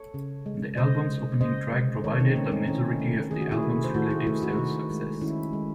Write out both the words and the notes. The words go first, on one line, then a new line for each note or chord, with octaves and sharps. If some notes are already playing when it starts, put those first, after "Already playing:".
The album's opening track provided the majority of the album's relative sales success.
Already playing: A4 C#5
C#3
G#3
C#3 C5 D#5
G#3
C#3 C5 D#5
G#3
D#3 A4 C#5
C4 D#4
A3 C#4
C4 D#4
D#3 C#4 E4
A3
D#3 G#4
F#4
E4 G#4
A3
C5
D#3 F#4 A4
E4 G#4
A3 E4 G#4
D#4 F#4
D#3
G#3
D#3 C#4 E4
G#3